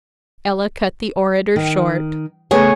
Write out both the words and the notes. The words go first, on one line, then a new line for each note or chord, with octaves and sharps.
Ella cut the orator short.
D#3
C#3 A3 B3 G#4 C#5